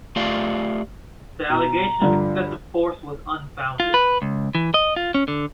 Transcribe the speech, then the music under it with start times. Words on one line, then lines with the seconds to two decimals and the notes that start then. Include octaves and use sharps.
The allegation of excessive force was unfounded.
0.16 A3 F4 G4 D5 F5
1.50 B2 A#5
2.02 G2 D3 F3
3.80 F4
3.94 B4
4.22 C#2
4.55 E3
4.74 D#5
4.96 F4
5.14 C#4
5.28 D3